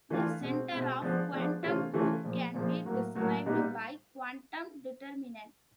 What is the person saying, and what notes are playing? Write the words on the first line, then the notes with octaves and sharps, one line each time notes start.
The center of quantum group can be described by quantum determinant.
E3 A3 D4 F4
B2 G#3 C4
B2 G#3 C4
F3 G#3 B3 D4
F3 G#3 B3 D4
C3 E3 A3 C#4 F4
C3 E3 A3 C#4 F4
A#2 F3 G#3
A#2 F3 G#3
A2 F#3 A#3
A2 F#3 A#3
A#2 G3 B3 D#4